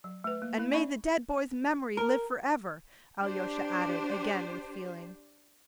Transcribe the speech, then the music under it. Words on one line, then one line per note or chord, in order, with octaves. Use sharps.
"And may the dead boy's memory live for ever!" Alyosha added again with feeling.
F#3
A3 B4
A#3
A#3 E4
D4 D5 E5 B5 C#6
A#4
D4 G4 C5